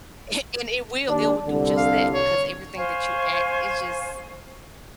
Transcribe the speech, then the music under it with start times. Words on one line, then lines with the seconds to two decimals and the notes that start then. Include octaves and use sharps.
And it will, it will do just that because everything that you ask, it just
1.08 D#2 D4
1.46 C2 D3
1.77 F5
2.14 C#5
2.76 C5 F5 G#5 C#6